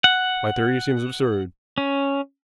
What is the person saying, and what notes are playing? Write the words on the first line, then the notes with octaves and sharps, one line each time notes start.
My theory seems absurd.
F#5
C#4